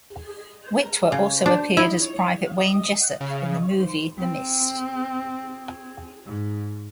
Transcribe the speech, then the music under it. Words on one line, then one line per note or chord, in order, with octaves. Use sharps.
Witwer also appeared as Private Wayne Jessup in the movie "The Mist".
C#3
D4
E4
C#3
C4
G#2